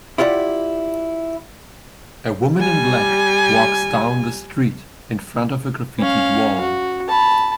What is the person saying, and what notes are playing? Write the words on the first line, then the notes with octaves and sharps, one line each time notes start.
A woman in black walks down the street in front of a graffited wall.
E4 F4 G4 D5 F#5
G3 G#5
C#4 F5
F#4
A5 B5